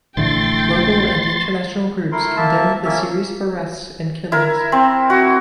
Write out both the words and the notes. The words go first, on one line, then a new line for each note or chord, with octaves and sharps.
Local and international groups condemned the series of arrests and killings.
A#1 D3 E3 A3 G5 C6 A6
A3 E4 A#4 C6
A#3 E5 A5
A#3 C#4 E5
E4 A#4
C4
F#4